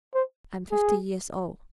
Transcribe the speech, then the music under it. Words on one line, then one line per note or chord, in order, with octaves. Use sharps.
I'm fifty years old.
C5
G#4